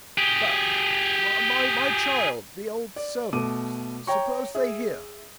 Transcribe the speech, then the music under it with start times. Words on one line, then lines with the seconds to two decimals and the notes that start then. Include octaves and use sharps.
"But, my child--the old servant--suppose they hear?"
0.18 G4 G#4
2.96 D5
3.33 B2 A3 D6 D#7
4.07 C#5 G5 A#5 C#6
4.55 G#4 E5